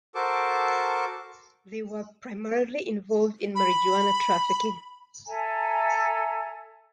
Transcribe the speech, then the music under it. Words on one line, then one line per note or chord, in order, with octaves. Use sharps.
They were primarily involved in marijuana trafficking.
F#4 A4 A#4 C5 A5 D6
B5
A4 E5 G#5 A#5